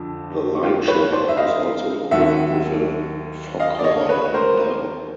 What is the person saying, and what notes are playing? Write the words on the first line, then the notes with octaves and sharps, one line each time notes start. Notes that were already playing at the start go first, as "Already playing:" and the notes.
The lightship was also equipped with a foghorn and bell.
Already playing: F2 D3 F3
F4 G4
B4 C#5
C5 D5
E5
D#5 F5
D#2 D#3 F#3 E5 F#5
D#5 F5
D5
C#5 D#5
B4 C#5
A#4 C5